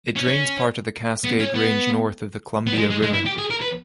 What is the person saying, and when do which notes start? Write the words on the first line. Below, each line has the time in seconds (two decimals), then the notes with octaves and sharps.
It drains part of the Cascade Range north of the Columbia River.
0.16 C#4
0.28 C#4
1.24 B3
1.40 C#4
1.55 B3
2.67 B3
2.73 G3
2.78 G#3
2.90 G#3
3.02 G#3
3.13 E4
3.26 G4
3.38 G#4
3.50 A#4
3.61 B4